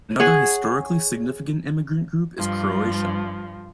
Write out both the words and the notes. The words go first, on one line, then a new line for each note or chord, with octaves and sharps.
Another historically significant immigrant group is Croatian.
G#4 C#5 F#5
G2 F3